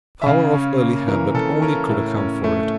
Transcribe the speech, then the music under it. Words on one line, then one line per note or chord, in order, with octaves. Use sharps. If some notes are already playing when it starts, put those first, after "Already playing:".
The power of early habit only could account for it.
E5
C#3 F5
C#4
A#3
E3 A#4
C#3 A4
C#4 A#4
A2
C#4
A3